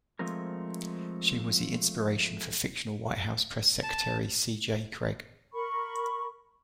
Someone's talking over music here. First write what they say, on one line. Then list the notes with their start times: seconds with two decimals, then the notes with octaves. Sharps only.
She was the inspiration for fictional White House Press Secretary C. J. Cregg.
0.19 F3 G#3 A3 C4 A#4
3.83 A5
5.53 A#4 B5 C#6